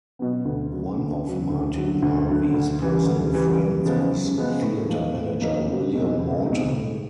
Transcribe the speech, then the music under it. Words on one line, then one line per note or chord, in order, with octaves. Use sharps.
One of Martin Harvey's personal friends was theatre manager, William Morton.
B2 F#3 B3
D2
C#3 F#3
D2
C#3 F#3
D2
D3 F#3
D2
D3 F#3
D2
C#3 E3 G3
D2
C#3 E3 G3
F#2
C#3 F3 G#3 B3
F#2
C#3 F3 G#3 B3
A2
F3 A#3 D#4
A2
F3 A#3 D#4
C#2
B2 G#3 C4 D#4
C#2
B2 G#3 C4 D#4
A2